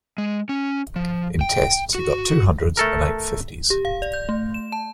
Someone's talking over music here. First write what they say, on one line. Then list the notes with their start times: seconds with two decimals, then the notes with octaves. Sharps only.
In Tests he got two hundreds and eight fifties.
0.18 G#3
0.49 C#4
0.96 F3
1.41 G5
1.95 F#4
2.77 A3 A4 A#4
3.70 G4
3.85 F5
4.02 D5
4.13 G6
4.29 A3
4.54 E7
4.72 A5